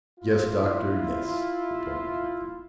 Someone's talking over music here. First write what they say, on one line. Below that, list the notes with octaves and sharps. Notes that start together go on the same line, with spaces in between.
"Yes, Doctor, yes," replied the captain.
E4 F4